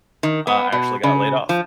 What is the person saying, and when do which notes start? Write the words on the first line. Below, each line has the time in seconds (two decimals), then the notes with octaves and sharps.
uh, I actually got laid off,
0.23 D#3
0.47 B3
0.72 B2
1.03 C#3
1.49 F3